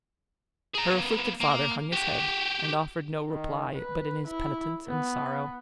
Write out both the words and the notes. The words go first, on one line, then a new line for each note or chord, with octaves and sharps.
Her afflicted father hung his head, and offered no reply but in his penitence and sorrow.
G#4 A#5
A#3 B3
A#3
F#4 G4
D#3
B4
E4
B3